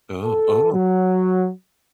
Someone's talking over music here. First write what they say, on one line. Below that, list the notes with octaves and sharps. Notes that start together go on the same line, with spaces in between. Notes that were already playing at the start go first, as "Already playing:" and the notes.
Oh, oh.
A4
F#3